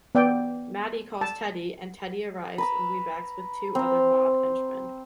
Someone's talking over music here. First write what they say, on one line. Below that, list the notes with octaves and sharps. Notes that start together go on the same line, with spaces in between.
Matty calls Teddy and Teddy arrives in Wibaux with two other mob henchmen.
B3 D5 G5
A5
B4 A#5 E6
C4 A#5